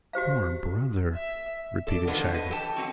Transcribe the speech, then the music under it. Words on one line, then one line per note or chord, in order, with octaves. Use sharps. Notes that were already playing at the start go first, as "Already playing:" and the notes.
"Poor Brother!" repeated Shaggy.
F#4 G4 C5 F5
E5
A4 D5
B2 D#3 G#3 B3 D4 F4
F3 F#3
B4 D#5
G4 A4 G5 A5
F#3 C4 F#4